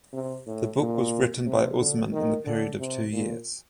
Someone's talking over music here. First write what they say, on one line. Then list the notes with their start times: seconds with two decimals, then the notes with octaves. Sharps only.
The book was written by Usman in the period of two years.
0.13 C3
0.46 A2
0.79 A#2
1.46 C3
1.79 D3
2.12 D#3
2.45 D3
2.79 C3
3.12 A#2